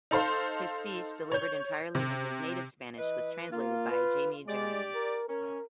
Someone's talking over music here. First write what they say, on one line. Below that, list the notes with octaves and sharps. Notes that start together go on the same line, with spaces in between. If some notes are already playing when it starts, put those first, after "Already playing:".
His speech, delivered entirely in his native Spanish, was translated by Jaime Jarrin.
D#4 A4 C5 F5 C6
C#5 G6
C3
E3 B4 D#5
A#3 F4
B4
G#3 G4 D5
A#4
C#4 A#4